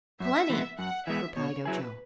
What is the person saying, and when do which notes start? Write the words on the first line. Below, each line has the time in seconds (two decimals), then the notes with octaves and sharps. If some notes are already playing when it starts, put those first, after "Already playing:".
"Plenty," replied Ojo.
0.20 F#2 E5
0.49 E3 G#3 B3
0.79 F#2 F#5
1.07 E3 G#3 B3 E5
1.36 B2 C#5
1.65 F#3 E4 G#4 B4